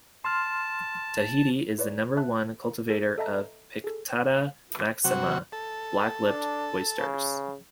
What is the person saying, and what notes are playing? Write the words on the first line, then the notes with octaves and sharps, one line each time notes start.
Tahiti is the number one cultivator of "Pinctada maxima" black-lipped oysters.
A5 C6 F6
E4 B4 C#5 D5
E5 A5 F#6
G#4 A4 C5
A4 D#5 E5 A5 A#5 A#6
G#4 A4
C3 F#3 F#4
A4
D4
C#3